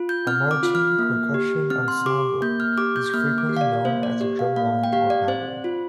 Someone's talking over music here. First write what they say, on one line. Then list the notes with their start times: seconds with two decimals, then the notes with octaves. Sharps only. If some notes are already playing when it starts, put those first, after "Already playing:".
A marching percussion ensemble is frequently known as a drumline or battery.
Already playing: F4
0.09 G6
0.27 C4 F6
0.51 D6
0.63 F4
0.75 F6
0.99 A#3
1.34 G4
1.70 C4 F6
1.88 C6
2.06 G4 D6
2.42 A#3 G6
2.60 F6
2.78 G4 D6
2.96 G6
3.06 G6
3.14 A#3 F6
3.38 D6
3.49 G4
3.57 F5
3.61 D5
3.85 A#3 C5
4.03 D5
4.21 G4 D5
4.39 F5
4.56 A#3 F5
4.84 G5
4.92 G4 F5
5.10 D5
5.28 C4 C5
5.64 F4